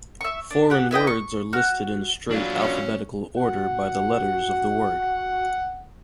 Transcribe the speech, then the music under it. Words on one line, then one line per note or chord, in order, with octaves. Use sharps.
Foreign words are listed in straight alphabetical order by the letters of the word.
E5 C#6
D4
G4 F#5
E4 B4 D#5 G5
C#6
F#4 F6
F#3 D4 F4
C#4
F#4 F#5